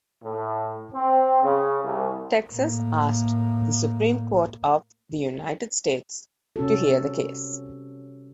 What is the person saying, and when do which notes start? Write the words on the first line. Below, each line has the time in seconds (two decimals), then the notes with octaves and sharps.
Texas asked the Supreme Court of the United States to hear the case.
0.23 A2
0.94 C4
1.42 C#3
1.83 C2
2.50 A2 A#3
6.56 C3 C#4 F#4 A4